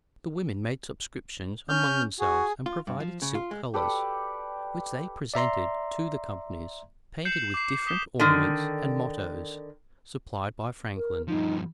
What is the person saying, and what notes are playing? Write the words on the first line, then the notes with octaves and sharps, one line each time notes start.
The women made subscriptions among themselves, and provided silk colors, which they presented to the companies, painted with different ornaments and mottoes, supplied by Franklin.
C#4 F6 G6
F#4 G#4
F4
G2
F3
C#3
F4
G#3
G4 A4 B4 D5
D5 E5 A#5 C6
G6 C7 C#7 E7 F#7
D6 C7
D#6 B6 E7 G7
D3 D#3
A#4
G2 F3 D#4